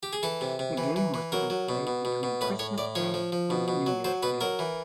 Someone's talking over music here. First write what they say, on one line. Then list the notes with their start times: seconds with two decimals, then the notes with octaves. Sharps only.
The game was to be played between Christmas Day and New Year's Day.
0.03 G4
0.13 G#4
0.23 E3 A4
0.41 C3
0.59 C3
0.78 E3
0.96 E3
1.14 E3
1.32 F#3 A#4
1.50 F#3
1.69 B2
1.87 B2
2.05 B2
2.23 B2
2.41 A2 B4
2.59 A2 C#5
2.78 A2 D5
2.95 F3 C#5
3.14 F3
3.32 F3
3.50 B2
3.68 B2
3.86 F#3
4.04 F#3 C5
4.23 B2 B4
4.41 F#3 A#4
4.59 E3